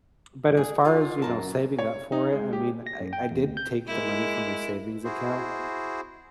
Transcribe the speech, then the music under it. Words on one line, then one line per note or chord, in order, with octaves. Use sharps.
but as far as, you know, saving up for it, I mean, I I did take the money from my savings account.
G#4
F4
F#2 A#4 A5
C#5
D#4
G#3
G4
A#6
F#2
G5
E2
D2
G6
G#3 A#3 E4
E4 F#4 G#4 C5